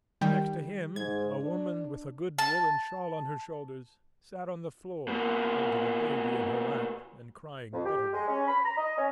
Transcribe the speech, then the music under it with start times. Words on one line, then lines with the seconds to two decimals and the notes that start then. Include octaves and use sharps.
Next to him a woman, with a good woollen shawl on her shoulders, sat on the floor holding a baby in her lap and crying bitterly.
0.21 D#3 G3 G5
0.96 G#2 G#6
1.42 D4
2.38 A5
5.08 B2 A#3
7.73 F2
7.85 G4
8.13 G#3
8.28 C#4
8.47 B5
8.64 A#5
8.77 D#5
8.98 C#4